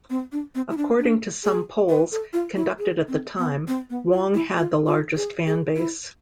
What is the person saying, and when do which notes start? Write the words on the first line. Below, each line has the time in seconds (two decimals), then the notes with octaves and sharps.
According to some polls conducted at the time, Wong had the largest fanbase.
0.10 C4
0.32 D4
0.55 C4
0.70 E4
0.77 D4
0.99 D4
1.44 G#4
1.89 B4
2.12 A4
2.33 F4
2.56 E4
2.79 G#4
3.08 C4
3.38 B3
3.67 C4
3.90 B3
4.12 F4
4.34 E4
4.57 F4
4.87 F4
5.16 G#4
5.47 G#4
5.76 E4